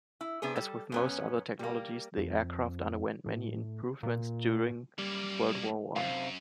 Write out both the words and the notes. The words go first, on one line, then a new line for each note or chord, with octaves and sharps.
As with most other technologies, the aircraft underwent many improvements during World War One.
E4
C3 B3 D4 G#4
G3 A4
F#2 B3 C#4
G3 A#3
F2
A2
A#2
F#2 G3 A#3
F#2 C3 C5 F5